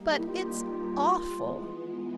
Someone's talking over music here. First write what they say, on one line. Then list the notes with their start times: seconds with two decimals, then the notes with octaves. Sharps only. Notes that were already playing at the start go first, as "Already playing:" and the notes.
"But, it's awful."
Already playing: G3 A#3 D#4 G4
0.18 E4
0.27 F4
1.34 E3 G#3 B3